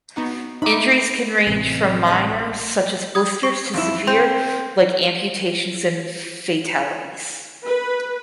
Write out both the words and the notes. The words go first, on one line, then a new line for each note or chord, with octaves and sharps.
Injuries can range from minor such as blisters to severe like amputations and fatalities.
B3 D#4 F#4
D#4 D#5 E5 B5 D6
A1 C3 D#7
D3 B4 D#5 B6
D#6 G#6
C#6
F2 E4
C4 C6 G6
B4